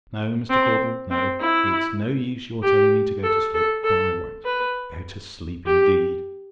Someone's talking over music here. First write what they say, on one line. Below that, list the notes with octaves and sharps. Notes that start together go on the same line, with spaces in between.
No, Mr. Caudle, no; it's no use your telling me to go to sleep, for I won't. Go to sleep, indeed!
C4
C4
E4
G4
A4
A4
A4
B4
G4